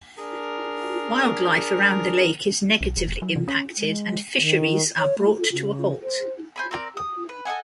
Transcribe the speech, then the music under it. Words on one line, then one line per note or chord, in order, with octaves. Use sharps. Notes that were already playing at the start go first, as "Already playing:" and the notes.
Wildlife around the lake is negatively impacted and fisheries are brought to a halt.
D4 G#4 A#4
B1
E1
E1
F#3
C3
C#4
G#3
D#3
C#5
A3
A4
C#3
C5
C5 G#5 B5
C4 A#4 D5
D#6
B4
A4 D#5 F#5 G#5